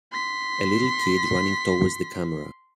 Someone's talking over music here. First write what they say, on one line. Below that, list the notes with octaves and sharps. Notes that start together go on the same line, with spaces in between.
A little kid running towards the camera.
C6 B6